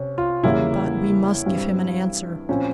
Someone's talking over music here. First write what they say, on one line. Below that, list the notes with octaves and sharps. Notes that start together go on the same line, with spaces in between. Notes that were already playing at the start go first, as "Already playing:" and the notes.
"But we must give him an answer."
Already playing: C3 C#4
F4
E2 C#3 G3 A#3 E4
G2 G3 C4
A#2 F3 C4 C#4 F4